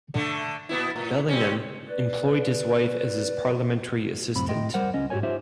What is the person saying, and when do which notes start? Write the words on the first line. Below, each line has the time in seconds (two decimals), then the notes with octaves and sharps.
Bellingham employed his wife as his Parliamentary Assistant.
0.14 D3 A3
0.69 A#2 B3 E4
0.96 A2
1.29 G3 C4 C#4
1.89 B4 D5
4.35 C2 F#2 A2 C4 B5
4.49 A2 D#5 G5 C6
4.74 G3 A#4 C5 F#5
4.94 C#2 C#4 D#5
5.10 G#2 F#4 G4 A#4 C#5 G#5
5.23 D#4 F4 G4 C5 E5